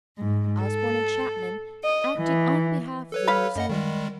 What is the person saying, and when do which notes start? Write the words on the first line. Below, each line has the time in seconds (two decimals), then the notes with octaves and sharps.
Osborn and Chapman, acting on behalf of the Museum.
0.18 G#2
0.62 A4
1.83 D#5
2.17 E3
3.12 A4 B4 C#5
3.28 F5 B5
3.56 F#2 D#5 F#5
3.69 D#3 G3 G#3